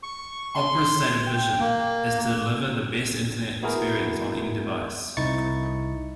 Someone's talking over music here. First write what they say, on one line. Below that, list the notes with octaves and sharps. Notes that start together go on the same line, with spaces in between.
Opera's stated vision is to deliver the best Internet experience on any device.
C#6
C6
G5
A#3
B3 E4 F#4 G#4 A#4
C2 D#4 E4 C#6 A6 C#7